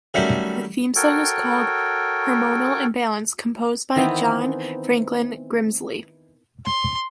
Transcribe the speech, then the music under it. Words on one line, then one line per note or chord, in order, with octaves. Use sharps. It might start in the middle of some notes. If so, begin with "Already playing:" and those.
The theme song is called "Hormonal Imbalance" composed by John Franklin Grimsley.
D#3 F#3 G3 A3 C#4
F#4 A4 A#4 C#5 G5
D#3 E3 B3 C4
C6